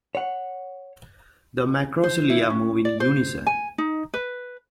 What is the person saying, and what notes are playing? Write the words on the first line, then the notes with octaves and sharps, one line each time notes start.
The macrocilia move in unison.
C#5 F#5
C5
E4
C#4
D5
C5
G#5
D#4
B4